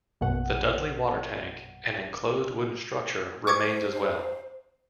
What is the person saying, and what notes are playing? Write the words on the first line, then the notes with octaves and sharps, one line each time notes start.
The Dudley water tank, an enclosed wooden structure, remains as well.
A#1 F#2 B2 F#5
C5 C#6 D6 G#6